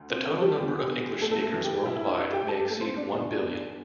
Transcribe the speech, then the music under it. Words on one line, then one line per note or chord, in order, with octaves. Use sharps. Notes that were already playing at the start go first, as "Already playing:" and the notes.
The total number of English speakers worldwide may exceed one billion.
Already playing: D2 D3
C4
D4
G3 G4
E2 D3 G3 G4
A3 A4
A3 A4
A3 A4
E3 E4
G4 G5
G4 G5
G2 G3 E4 E5
E4 E5
D4 D5
E4 E5
G4 G5
A4 A5
G3 G4
A3 A4
C4 C5
D4 D5
E2 D3 G3